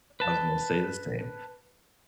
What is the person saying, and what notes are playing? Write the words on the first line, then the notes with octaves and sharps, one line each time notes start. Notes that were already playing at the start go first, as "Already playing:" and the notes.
I was gonna say the same.
B4 A5